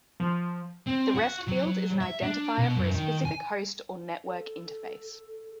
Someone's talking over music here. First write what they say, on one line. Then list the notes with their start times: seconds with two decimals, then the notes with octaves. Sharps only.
The rest field is an identifier for a specific host or network interface.
0.20 F3
0.86 C4
1.15 F#4
1.48 F#3
1.64 F#3
2.01 E5
2.23 D4
2.58 B2
2.76 F#2
2.94 D#3
3.25 G#5
4.24 A4